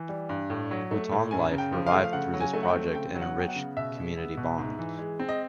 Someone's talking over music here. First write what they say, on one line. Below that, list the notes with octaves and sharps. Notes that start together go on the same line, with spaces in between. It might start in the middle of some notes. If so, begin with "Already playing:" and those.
Hutong life revived through this project and enriched community bonds.
Already playing: E3
G3
G2
A2
F#3
A3
A2
F#2 G#5
C#3
G5
F3
F5
A3
F5
C#3 F#5
F#3
G#5
A3
F#5
G5
C4
C#3 G5
F#3
F#5
B3 G5
F#5
C#3
B2 E5
G#3
B3
B2
G#2
E3
G#3
C4
D#5